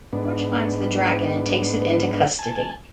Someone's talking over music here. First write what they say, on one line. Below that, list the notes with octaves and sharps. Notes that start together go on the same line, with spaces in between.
George finds the dragon and takes it into custody.
G#2 B3 D4
G#5 A5